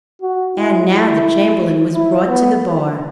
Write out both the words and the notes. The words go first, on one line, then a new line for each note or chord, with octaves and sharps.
And now the Chamberlain was brought to the bar.
F#4
E4
E4
E4
B3